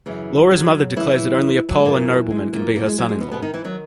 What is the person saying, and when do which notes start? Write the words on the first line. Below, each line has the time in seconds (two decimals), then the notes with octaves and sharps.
Laura's mother declares that only a Pole and nobleman can be her son-in-law.
0.06 F#2 C#3 E3
0.51 F#3 F#4
0.96 E3 E4
1.69 F#3
1.78 G#3
1.85 F#2 A#2 E3 A#3
2.30 G#3
2.53 A#2 A#3
2.76 A#2 A#3
2.86 G#3
2.98 F#3
3.09 G#3
3.20 B2 B3
3.32 B2 B3
3.42 D#3 D#4
3.54 E3 E4
3.64 D#3 F#3 F#4